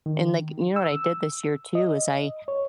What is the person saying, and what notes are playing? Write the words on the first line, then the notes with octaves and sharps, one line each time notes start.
And, like, you know what I did this year too is I
D#3
E6
D#5
C#5